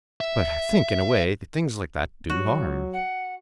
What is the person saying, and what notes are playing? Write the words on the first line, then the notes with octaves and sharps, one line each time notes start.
But I think, in a way, things like that do harm.
E5
F#3 F#4
F#5